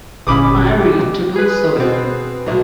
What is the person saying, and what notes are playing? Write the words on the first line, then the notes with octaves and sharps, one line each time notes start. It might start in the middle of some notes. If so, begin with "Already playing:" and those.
Marie to do so.
G1 A#2 C#4 B5 D6 D#6
G4
G#4 B4
B2 C4
B1 F#3